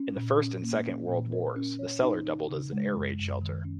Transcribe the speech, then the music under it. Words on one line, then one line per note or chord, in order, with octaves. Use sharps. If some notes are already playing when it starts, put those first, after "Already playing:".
In the First and Second World Wars the cellar doubled as an air-raid shelter.
Already playing: C#4
A#2
C#4
A#3
C#4
A#2
A#4
C#4
C#5
D#4
D#4
C#3
G#3
F#2
F#2
D#3
C#4